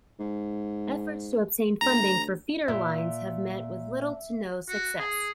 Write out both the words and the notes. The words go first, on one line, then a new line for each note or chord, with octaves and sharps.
Efforts to obtain funding for feeder lines have met with little to no success.
G#2
D2 A#5
A#2 E5
F#4
G#4